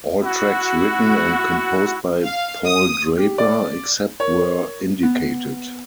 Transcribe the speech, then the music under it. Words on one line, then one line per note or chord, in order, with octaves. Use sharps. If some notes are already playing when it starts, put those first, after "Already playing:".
All tracks written and composed by Paul Draper; Except where indicated.
E4 F#4
F5
D#6
G4
D5
A#4 C#5
B3